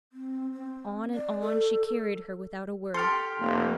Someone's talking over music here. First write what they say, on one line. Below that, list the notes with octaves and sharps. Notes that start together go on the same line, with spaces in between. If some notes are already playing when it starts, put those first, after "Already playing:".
On and on she carried her without a word.
C4
C4
D5
A4
G4 A4 C6 F6
F1 A#3